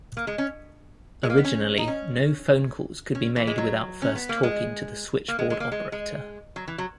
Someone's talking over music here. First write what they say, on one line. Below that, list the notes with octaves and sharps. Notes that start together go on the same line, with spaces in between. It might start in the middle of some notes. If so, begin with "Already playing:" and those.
Originally, no phone calls could be made without first talking to the Switchboard operator.
A#3
G#3
C#4
G#3
A#3
B3
C#4
D#4
C#4
C#4
E3
G#3
F#3
C#4
B3
A#3
G#3
A#3
G#3
G#3
A#3
G#3
G#3
F#3
E3
F#3